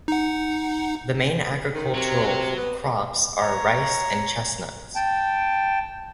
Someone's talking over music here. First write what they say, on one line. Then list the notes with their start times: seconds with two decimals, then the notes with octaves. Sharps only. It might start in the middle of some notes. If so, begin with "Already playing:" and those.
The main agricultural crops are rice and chestnuts.
0.08 D#4 F#5
1.74 D#3
1.94 C3 F#3
2.56 B3
3.39 C#5 A#5
4.96 G5 A5